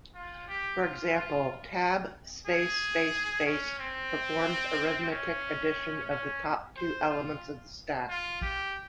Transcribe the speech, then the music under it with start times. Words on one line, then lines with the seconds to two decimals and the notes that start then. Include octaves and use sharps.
For example, tab-space-space-space performs arithmetic addition of the top two elements on the stack.
0.15 F4
0.48 G4
0.81 F4
1.14 F4
2.47 G#4
3.46 C#4
3.79 C4
5.11 C#4
6.10 C#4
6.77 C5
7.09 F4
8.09 F4
8.42 G4